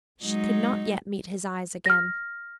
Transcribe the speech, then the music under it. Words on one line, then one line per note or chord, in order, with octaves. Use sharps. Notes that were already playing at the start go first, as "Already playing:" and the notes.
She could not yet meet his eyes again.
F#3 G#3 D#4
F6 A#6